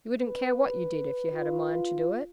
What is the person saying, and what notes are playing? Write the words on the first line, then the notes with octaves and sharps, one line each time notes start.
'You wouldn't care what you did if you had a mind to do it.'
B4
F4